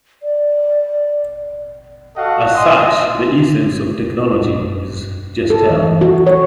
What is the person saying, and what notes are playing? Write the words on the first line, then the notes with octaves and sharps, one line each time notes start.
As such, the essence of technology is "Gestell".
D5
F#4 A4 D#5 F5 F#5
D#5 G#5 C6
A4
E3
F#4
C#5